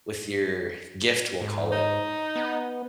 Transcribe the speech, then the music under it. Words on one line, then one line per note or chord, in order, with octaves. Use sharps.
with your gift, we'll call it?
G#2
D#4
B3